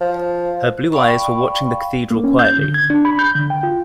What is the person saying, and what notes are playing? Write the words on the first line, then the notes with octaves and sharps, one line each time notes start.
Her blue eyes were watching the cathedral quietly.
F3
D5 F5 G5 B5 C#6
A#3
C#4
G6
D3
G#6
D4
B5
G6
D3
G5
F4